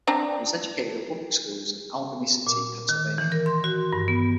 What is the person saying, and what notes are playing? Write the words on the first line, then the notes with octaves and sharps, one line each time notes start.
He was educated at public schools in Allegheny City, Pennsylvania.
C4 D4 A#5
A#2
D#3
E3
A#4
C6
F#4
G2
B3